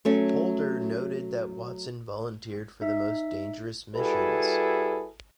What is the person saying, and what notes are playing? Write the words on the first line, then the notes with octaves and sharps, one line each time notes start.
Holder noted that Watson volunteered for the most dangerous missions.
F#3 A3 C#4
D#4 E5
G3 E4 F#4 G#4 A4 B4